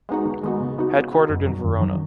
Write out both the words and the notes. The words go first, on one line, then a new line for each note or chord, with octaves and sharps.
Headquartered in Verona.
G#3 B3 D#4 F#4
D#3
G#3 B3 D#4 F#4
C#3
B3 D#4 F#4
C#3
B3 D#4 F#4
F#2
D#3 F#3
F#2
D#3 F#3